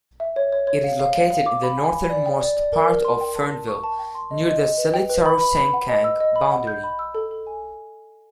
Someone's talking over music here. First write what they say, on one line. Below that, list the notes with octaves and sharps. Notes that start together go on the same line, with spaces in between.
It is located in the northernmost part of Fernvale, near the Seletar-Sengkang boundary.
E5
C#5
C#5
C#5
F5
F5
F5
F5
D6
B5
G#5
B5
D5
G5
D5
D5
A#4
A#4
C6
G5
A5
A5
C#6
A5
G5
C6
D#5
D#5
D#5
B4
G5
B4
B5
B5
B5
F#5
D#5
E6
D#5
B5
F#5
G6
B5
E6
A4
A4
G#5